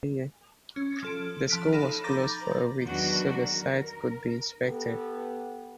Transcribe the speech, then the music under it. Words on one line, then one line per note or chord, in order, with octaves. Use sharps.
The school was closed for a week so the site could be inspected.
C#4
F3 A4 D7
F3 A5 F6 F#6 B6 D7
D#4 A4 F5 B5
A#5 B5 D6 G6 A6 A#6
E2 D#3 F#3 D4 F#4 B4
A#4
B3 G4 A4